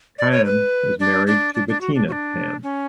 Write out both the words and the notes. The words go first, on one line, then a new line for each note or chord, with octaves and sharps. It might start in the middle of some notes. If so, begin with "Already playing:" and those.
Kamm was married to Bettina Kamm.
D5
C#5
B4
D4
D4
D4
D4
F#4
D4
F#4
D4
C#4